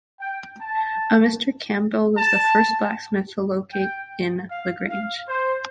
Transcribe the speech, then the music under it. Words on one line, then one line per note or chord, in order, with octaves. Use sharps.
A Mr. Campbell was the first blacksmith to locate in LaGrange.
G5
A5
A5
G5
F5
F5
C5